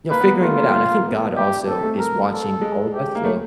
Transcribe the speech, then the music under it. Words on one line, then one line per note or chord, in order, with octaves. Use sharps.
you know, figuring it out and I think God also is watching all of us, so,
A#3 B4
B3
A#3
A3 F4
A#3
A3
A#3
B3
G4
C4 A4
A3
A#4
A4
G#3
G4
A#3
A3